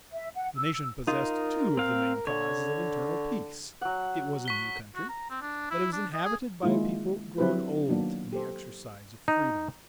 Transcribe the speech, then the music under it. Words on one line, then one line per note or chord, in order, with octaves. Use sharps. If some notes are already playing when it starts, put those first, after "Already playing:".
The nation possessed two of the main causes of internal peace; it was a new country, but it was inhabited by a people grown old in the exercise of freedom.
E5
F#5
E6
D#4 F4 A#4
C4 F5
D3 C#5
F#3 F#5
C#6 B6 G7
F#4
A#5
C4
D4
E4
D4
D#5
G#4
D#3 G#3 A#3 E4 F4
D3 F#3 C4 E4 G4 B4
D#3 F#3 A#3 B3 D4
G4 A4 C5
D#4